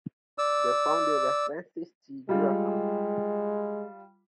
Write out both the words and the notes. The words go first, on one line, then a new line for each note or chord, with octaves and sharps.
The founder was Francis G. Graham.
D5 E6
G3 G#3 F4